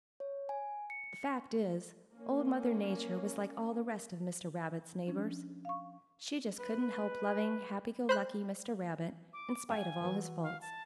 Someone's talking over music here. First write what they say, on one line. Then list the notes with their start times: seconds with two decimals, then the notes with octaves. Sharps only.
The fact is, Old Mother Nature was like all the rest of Mr. Rabbit's neighbors--she just couldn't help loving happy-go-lucky Mr. Rabbit in spite of all his faults.
0.20 C#5
0.49 G#5
0.90 C#7
2.14 A#3 C#4
5.07 F3 C#4 D4
5.65 F5 C#6
6.60 B4
8.09 C5 B5 F#6
9.33 D6
9.69 F5 G5 G#5
10.01 E3 F#4
10.43 F5
10.61 A5